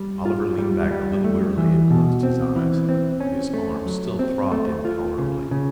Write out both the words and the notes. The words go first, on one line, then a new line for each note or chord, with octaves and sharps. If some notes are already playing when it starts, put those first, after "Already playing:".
Oliver leaned back a little wearily and closed his eyes; his arm still throbbed intolerably.
Already playing: G3
F4
G3
G3
A3
E3
B2
C4
E3
C4
C#4
A3
F#3
C4
A3
F4
C#3
C#3